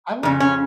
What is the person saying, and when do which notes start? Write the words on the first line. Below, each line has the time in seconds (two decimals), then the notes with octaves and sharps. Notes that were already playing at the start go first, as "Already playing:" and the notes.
I like
0.23 F2 C#3
0.40 C#4